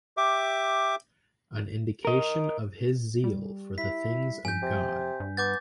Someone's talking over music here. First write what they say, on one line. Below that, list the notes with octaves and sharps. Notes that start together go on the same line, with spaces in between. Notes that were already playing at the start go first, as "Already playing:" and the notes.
An indication of his zeal for the things of God.
G4 E5 D6
A#4 D#5
G3
E4 B6
F2 G#5 G6
C3
G2
B3 D6 G6 A6